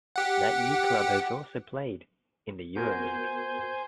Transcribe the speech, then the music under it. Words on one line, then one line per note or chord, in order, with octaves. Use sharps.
That year club has also played in the Euroleague.
G4 F#5
B3 F#4 A#4 C5 G#5 G6